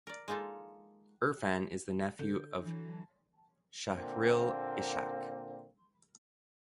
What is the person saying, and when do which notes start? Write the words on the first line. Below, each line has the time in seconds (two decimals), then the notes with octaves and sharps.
Irfan is the nephew of Shahril Ishak.
0.07 A#4 D5
0.28 G#3 A#3 D#4 F4 A4
2.19 D3 G6
2.62 E3 F#3
3.96 A#2 D3 A#3 C4